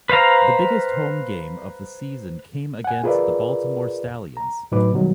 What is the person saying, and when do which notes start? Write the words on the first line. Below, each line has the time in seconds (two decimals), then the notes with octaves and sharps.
The biggest home game of the season came against the Baltimore Stallions.
0.10 B4 C5 F5 A#5
2.84 F#5 G#5
3.04 F4 G#4 A#4 B4 D5 E5
4.37 A#5
4.72 A2 F#3 D#4 B4 D6
4.93 B2 D#3 F#3 G3